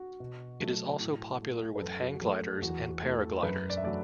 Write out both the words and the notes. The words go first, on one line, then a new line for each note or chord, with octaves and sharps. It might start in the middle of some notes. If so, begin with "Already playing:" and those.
It is also popular with hang gliders and paragliders.
Already playing: F#4
B2
F#3 A3
A2
A3
B4
F#2 A4
F#4
F#4
F#3 A3 A4
E2 F#4
F#4
E3 A3
A4
F#2 B4
D5
E5
F#3 A3 D5